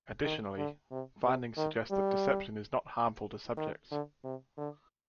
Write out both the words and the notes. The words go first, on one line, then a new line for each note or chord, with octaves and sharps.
Additionally, findings suggest that deception is not harmful to subjects.
D#3
D3
C3
C3
D#3
G3
D#3
D3
C3
D3